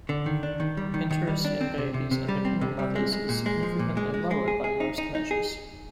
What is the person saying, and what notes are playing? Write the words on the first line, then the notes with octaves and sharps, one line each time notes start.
Interest in babies and becoming mothers is significantly lower by most measures.
D3
D#3
D4
D#3
G3
D#3
D#3
G3
D4
C4
C3
C3
C3
G3
C4
C3
G3
G#3
G#3
A#2
G#3
F3
A#2
G#3
G#3
G#3
G#4
G#4
D#4
D#4
D#4
G#4